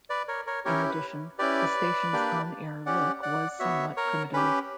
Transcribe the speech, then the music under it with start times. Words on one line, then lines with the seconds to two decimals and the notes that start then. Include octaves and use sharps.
In addition, the station's on-air look was somewhat primitive.
0.10 B4 D5
0.28 A#4 C#5
0.46 A#4 C#5
0.65 C#4 E4 G4 A#4 C#5
0.89 B4
1.38 C#4 E4 G4 B4 D5
2.13 A#3 D4 G4
2.86 C#4 G4 D5 F#5
3.22 D5 F#5
3.59 B3 F#4 C#5 E5
3.97 A#4 C#5
4.34 C#4 G4 B4